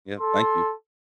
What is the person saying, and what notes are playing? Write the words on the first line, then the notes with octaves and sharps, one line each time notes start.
Yeah, thank you.
A4 C6